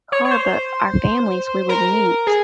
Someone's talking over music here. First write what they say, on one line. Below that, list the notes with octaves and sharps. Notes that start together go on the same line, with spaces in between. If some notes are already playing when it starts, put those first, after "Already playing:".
car, but our families, we would meet
C#5
C#5
C5
A#4
G#4